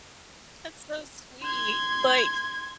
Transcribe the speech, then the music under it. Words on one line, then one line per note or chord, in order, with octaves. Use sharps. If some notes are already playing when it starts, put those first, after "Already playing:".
That's so sweet like,
C6 G#6